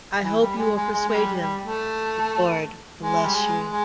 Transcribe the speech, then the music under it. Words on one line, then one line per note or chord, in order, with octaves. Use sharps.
I hope you will persuade him, Lord bless you.
E3
G3
G#3
G#3
G#3
G#3
G3
G3
A3
G#3
G3
G#3
G#3